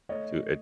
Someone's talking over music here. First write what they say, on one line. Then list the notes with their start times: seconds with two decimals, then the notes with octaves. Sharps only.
to ach
0.09 A3 C#5 D#5
0.31 A3